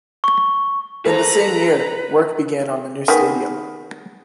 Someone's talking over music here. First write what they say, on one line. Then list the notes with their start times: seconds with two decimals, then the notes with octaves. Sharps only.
In the same year, work began on the new stadium.
0.24 C#6
1.06 A#3 G#4 A4 B4 C5 A5 A#5
3.08 D#3 B3 G#4